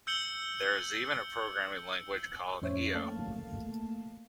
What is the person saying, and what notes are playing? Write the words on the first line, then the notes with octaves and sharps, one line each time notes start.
There is even a programming language called 'io'.
E6 G6 C#7 F#7 G7
F2 A2 C#4 C5 C#5 E5
A3 A#3 F5 A5